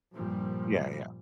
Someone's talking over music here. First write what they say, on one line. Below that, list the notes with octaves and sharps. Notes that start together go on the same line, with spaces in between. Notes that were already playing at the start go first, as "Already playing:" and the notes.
Yeah, yeah.
G2 A#2 F3 G3